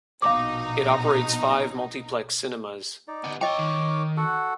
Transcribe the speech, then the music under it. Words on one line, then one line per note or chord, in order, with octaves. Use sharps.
It operates five multiplex cinemas.
A#1 B2 D#4 F5 D6
D#4 D5
B3 G4
E4 C#5 D#5 G5 A#5 D6
D#3
F#4 A4 F#5